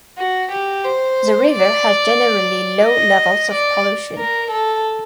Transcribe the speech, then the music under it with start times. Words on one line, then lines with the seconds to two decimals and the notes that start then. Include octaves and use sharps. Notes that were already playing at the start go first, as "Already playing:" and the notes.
The river has generally low levels of pollution.
0.18 F#4
0.52 G4
0.85 C5
1.52 D5
2.85 D#5
3.51 D5
4.18 A#4
4.51 A4